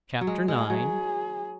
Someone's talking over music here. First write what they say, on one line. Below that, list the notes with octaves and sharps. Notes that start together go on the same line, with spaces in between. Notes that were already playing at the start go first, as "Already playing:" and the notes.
Chapter IX.
F#3
G#3
G#3
G#4
F#3